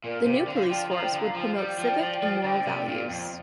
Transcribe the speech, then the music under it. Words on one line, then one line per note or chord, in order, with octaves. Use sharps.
The new police force would promote civic and moral values.
A#2 A#4 D5
C5 F5
C3
D5 G5
D3
C5 F5
F3 D5 G5
F5 A#5
F3
D5 G5
D3
F5 A#5
F3 G5
F5
G3 D5 G5
F3
F3
F3
D3
C3
A#2
F2